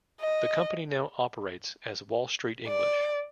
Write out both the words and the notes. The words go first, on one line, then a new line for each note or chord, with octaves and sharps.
The company now operates as Wall Street English.
D#5
D5